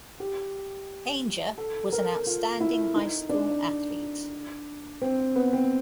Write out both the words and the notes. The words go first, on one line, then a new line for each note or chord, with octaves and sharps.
Ainge was an outstanding high school athlete.
G4
A4
A#4
F4
E4
D#4
D4
C4
B3
C4